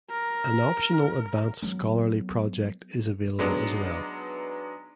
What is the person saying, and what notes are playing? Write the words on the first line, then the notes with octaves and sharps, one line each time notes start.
An optional advanced scholarly project is available as well.
A#4
F#3 B3
F#3 G#3 B3 D4 D#4